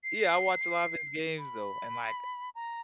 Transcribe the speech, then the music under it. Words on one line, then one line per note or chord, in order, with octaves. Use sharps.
Yeah, I watched a lot of his games though, and, like,
C7
B5
A#5